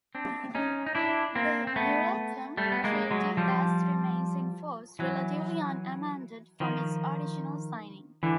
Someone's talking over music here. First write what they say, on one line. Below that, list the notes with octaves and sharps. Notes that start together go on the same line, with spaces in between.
The Euratom treaty thus remains in force relatively unamended from its original signing.
C4 D4
C#4 D#4
D#4
D4 E4
A#3 C4
C4
A3 B3
G3 A3
B3
G#3 A#3
F#3 G#3
F3 G3
E3 F#3
D#3 F3
D3 E3